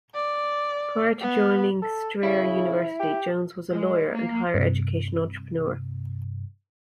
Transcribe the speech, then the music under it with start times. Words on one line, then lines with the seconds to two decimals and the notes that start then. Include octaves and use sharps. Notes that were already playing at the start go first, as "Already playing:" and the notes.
Prior to joining Strayer University, Jones was a lawyer and higher education entrepreneur.
0.14 D5
1.21 B3
1.82 A4
2.23 C#3 E4
3.00 G4
3.69 G#3
4.11 A#3
4.54 G2 C3